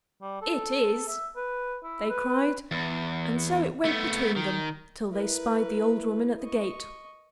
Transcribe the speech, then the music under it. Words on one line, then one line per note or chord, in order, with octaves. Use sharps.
"It is," they cried, and so it went between them, till they spied the old woman at the gate.
G3
A4
E5
B4
E4
B4
E2
A3 B3
D#3
E4 A#4 B4
D#5 C#6